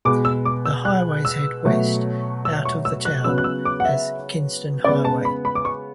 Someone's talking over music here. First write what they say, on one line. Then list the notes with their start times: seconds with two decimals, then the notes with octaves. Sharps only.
The highways head west out of the town as Kinston Highway.
0.05 B2 G#3 B3 D6
0.25 E6
0.45 D6
0.66 E6
0.85 F#6
1.25 E6
1.65 B2 F#3 A3
2.45 E6
2.65 C#6
2.85 E6
3.05 F#6
3.24 C#3 F#3 B3 E6
3.38 F#6
3.44 E6
3.65 D6
3.80 F#5
3.85 E5
4.84 C#3 G#3 B3 D5
5.05 A5
5.25 B5
5.45 B5
5.55 D6
5.65 C#6